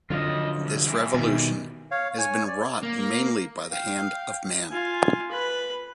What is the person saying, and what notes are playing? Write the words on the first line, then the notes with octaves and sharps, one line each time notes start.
This revolution has been wrought mainly by the hand of man.
D3 F3 F#3 F4 D#5
C2
E3 G3
B2 D#3
C#5 F5
C#5 G#5
D5
A#3
F5 G5
F4 G#5
B4 B5